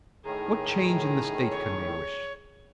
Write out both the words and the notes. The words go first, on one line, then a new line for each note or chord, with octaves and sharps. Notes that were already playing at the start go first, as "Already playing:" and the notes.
What change in the state can they wish?
A2 D#3 G#4 A#5
C#5